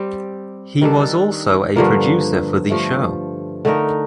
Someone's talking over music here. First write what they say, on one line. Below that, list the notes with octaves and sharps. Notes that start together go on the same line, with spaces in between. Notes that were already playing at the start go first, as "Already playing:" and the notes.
He was also a producer for the show.
Already playing: G3 C4 G4
D#3 G3 D4 A4
G2 D3 F3 A#3
G2 F3 A3
D3 A3 D#4 A#4